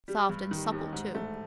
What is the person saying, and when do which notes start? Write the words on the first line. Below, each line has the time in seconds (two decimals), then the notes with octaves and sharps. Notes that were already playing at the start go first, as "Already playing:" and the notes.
Soft and supple too.
0.08 G3
0.29 G2
0.51 D#3
0.72 D#2
0.93 G#2
1.15 A3